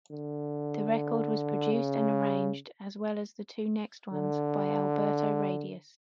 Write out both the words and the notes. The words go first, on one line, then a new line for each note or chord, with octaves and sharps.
The record was produced and arranged, as well as the two next ones, by Alberto Radius.
D3
C#3
D3